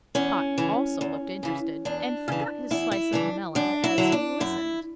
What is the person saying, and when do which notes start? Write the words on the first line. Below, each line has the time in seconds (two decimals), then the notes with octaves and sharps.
Tot also looked interested, and forgot his slice of melon as he listened.
0.15 E2 C#4
0.58 C#3 E3
1.01 E2
1.43 C#3 E3
1.85 E2 D4
2.28 C#3 E3
2.71 E2 E4
2.91 E4
3.13 C#3 E3 D4
3.55 F#2 D4
3.84 E4
3.98 D3 F#3
4.12 D4
4.40 F#2 E4